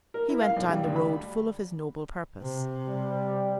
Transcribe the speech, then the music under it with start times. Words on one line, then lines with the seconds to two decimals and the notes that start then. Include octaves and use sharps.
He went down the road full of his noble purpose.
0.14 A#4
0.29 E4
0.41 F5
0.57 B1
0.69 G3
0.84 D2
0.96 B5
2.42 C3
2.88 G3